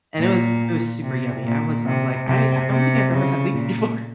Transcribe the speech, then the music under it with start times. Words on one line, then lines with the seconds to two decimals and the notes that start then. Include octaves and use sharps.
and it was it was super yummy, I was I was like, "I don't think I've ever had leeks before,
0.19 A#2
1.02 C3
1.44 A#2
1.85 C3
2.28 C3
2.69 C3
3.11 C#3
3.53 A#2